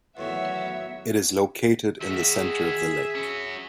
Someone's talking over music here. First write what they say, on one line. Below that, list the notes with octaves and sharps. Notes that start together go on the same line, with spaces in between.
It is located in the center of the lake.
E2 A2 D#3 F#3 B3 F#4 C#5 E5
D#3 F#4 G#4 E5
C#4 F#4 E5